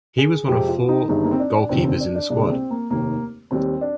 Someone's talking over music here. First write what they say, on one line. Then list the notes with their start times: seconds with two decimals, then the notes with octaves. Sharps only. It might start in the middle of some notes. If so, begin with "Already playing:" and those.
He was one of four goalkeepers in the squad.
0.18 G#4
0.48 F2 C3 F3 G#3 G4
0.69 F4
0.89 D#4
1.09 G1 G2 D#3 G#3 D#4
1.24 A#3
1.31 C4
1.39 D4
1.69 F1 D#2 D3 F3 C4
1.85 C4
2.00 D4
2.15 D4
2.30 C2 A#2 G#3 D4
2.50 C4
2.70 A#3
2.90 F1 D#2 D#3 A#3
3.51 D#2 D#3 G3 C4
3.81 D4